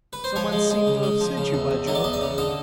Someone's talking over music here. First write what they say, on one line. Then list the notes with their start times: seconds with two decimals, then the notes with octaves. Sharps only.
Someone seemed to have sent you, by Jove!
0.13 B4
0.24 C5
0.36 F3 C#5
0.52 G#3
0.70 G#3
0.87 C#3
1.03 G#3
1.21 F3
1.37 C#3
1.54 E2
1.71 E2
1.87 F#3 D#5
1.95 D5
2.04 E2 D#5
2.13 D5
2.21 C#3
2.38 D3 D#5